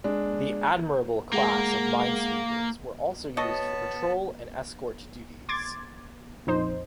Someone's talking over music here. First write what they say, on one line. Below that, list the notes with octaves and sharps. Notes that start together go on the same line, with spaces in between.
The "Admirable" class of minesweepers were also used for patrol and escort duties.
G#3 D4
G#3 A#3 G#4 F#5
B3 F#4 A4 C#5 D#5 A5
C6 D6 G#6 A6
A#1 F2 D#4 C5